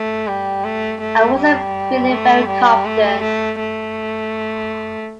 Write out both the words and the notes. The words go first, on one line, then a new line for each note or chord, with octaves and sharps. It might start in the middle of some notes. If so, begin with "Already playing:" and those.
I wasn’t feeling very confident.
Already playing: A3
G3
A3
A3
G3
A3
G3
A3
A3
A3